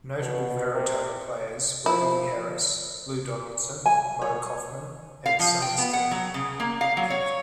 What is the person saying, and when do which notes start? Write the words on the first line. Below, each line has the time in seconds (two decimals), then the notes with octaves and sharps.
Notable Varitone players were Eddie Harris, Lou Donaldson, Moe Koffman, and Sonny Stitt.
0.20 B2
0.73 C3
1.86 F3 E4
3.86 G#5
4.21 C#5
5.26 F5
5.39 F3
5.62 G5
5.78 B3
5.93 F#5
6.11 F#3
6.34 C#3
6.60 A#3
6.81 F5
6.97 F#3
7.10 C#5